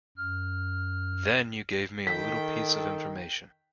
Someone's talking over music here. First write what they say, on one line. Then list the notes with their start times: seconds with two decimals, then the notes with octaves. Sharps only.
Then you gave me a little piece of information.
0.18 F#2 F6
2.07 D#3 A4 G5 B6